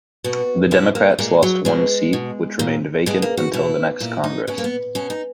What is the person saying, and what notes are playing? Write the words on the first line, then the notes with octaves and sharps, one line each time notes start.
The Democrats lost one seat, which remained vacant until the next Congress.
B2 F#4
B2 E4
A#3
A#2 G#3
F#3
B2 G#3
B2
A#2
B2 G#3
A#3
F#4
B2 E4
A#2 E4
D#4
B2 C#4
A#3
B3
B2 C#4
D#4